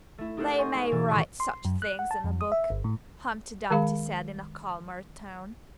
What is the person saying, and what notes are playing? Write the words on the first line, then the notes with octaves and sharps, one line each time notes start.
They may write such things in a BOOK,' Humpty Dumpty said in a calmer tone.
A3 E4
D#4 G4 A4 A#4 C5 F#5
D#5 G#5 C6 C#6 G6 A6
G#3 F5
B2 E3 A4 D5 G#5
A2 D#3 G#3 D5 G#5 C#6
C6
F#2
F#6
F#5
A5
F2
D#6
E5
G1
A2
D#3 G#3 G#4 F5 B5